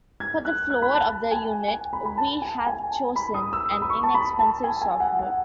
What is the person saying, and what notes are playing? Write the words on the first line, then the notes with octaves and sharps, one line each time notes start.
For the floor of the unit, we have chosen an inexpensive soft wood.
G#6
F#6
F#6
B5
A5
G#5
G#5
B5
B5
A5
G#5
G#5
A5
B5
D#6
E6
D#6
B5
C#6
A5
B5
A5
G#5
G#5
F#5
F#5